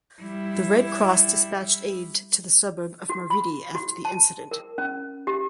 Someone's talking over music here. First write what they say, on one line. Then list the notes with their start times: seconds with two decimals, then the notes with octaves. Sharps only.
The Red Cross dispatched aid to the suburb of Maridi after the incident.
0.22 G3 E4
3.10 F#4
3.30 B5
3.75 F#4
4.05 A5
4.51 A#4
4.78 C#4
5.27 G4